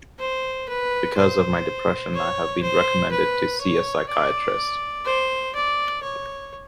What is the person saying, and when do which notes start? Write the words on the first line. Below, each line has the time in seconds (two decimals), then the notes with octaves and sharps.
Because of my depression, I have been recommended to see a psychiatrist.
0.20 C5
0.69 B4
1.18 C5
2.14 C#5
2.63 C5
3.11 B4
3.61 C#5
4.09 D5
5.05 C5
5.55 D5
6.03 C#5